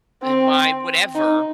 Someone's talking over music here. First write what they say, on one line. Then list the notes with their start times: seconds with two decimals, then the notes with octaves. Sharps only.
uh, my" whatever.
0.23 C4
1.15 D#4